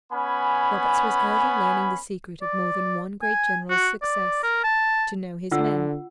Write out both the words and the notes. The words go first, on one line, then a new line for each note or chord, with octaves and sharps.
Roberts was early learning the secret of more than one great general's success--to know his men.
B3 C#4 G#5 B5
D5
G#5
F#4
D5
A#4
A5
D3 F4 F#5 E6